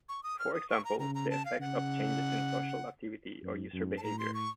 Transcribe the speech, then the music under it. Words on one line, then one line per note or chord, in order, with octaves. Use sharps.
For example, the effects of changes in social activity or user behavior.
C#6
D#6
F6
D#6
C#6
A#5
C#3 A#5
A#5
A5
F5
C#3 F#5
F#2
F#2
A5
A2 A#5
C6
C#6